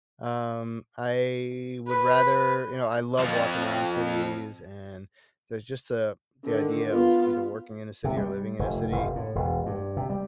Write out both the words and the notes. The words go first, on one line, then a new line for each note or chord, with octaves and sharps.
um, I would rather you know, I love walking around cities, and there's just a the idea of either working in a city or living in a city
B4
F2 F3
D3 D#3
B3 F4
C3
G3
F1
F1
A2
E1
G2
C3
G3